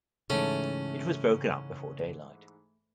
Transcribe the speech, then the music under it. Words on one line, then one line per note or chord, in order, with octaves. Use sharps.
It was broken up before daylight.
G#2 C#3 E3 A3 C#4